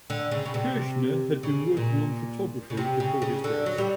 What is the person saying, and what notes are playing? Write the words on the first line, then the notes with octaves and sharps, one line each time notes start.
Kershner had been working on photography before his death.
D3
C#3
C#3
C3
C#3
A#2
C#3
C3
C#3
C#3
D3
F#3
G3